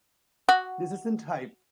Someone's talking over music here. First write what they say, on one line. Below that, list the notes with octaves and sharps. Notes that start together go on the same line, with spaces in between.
This isn't hype.
F#4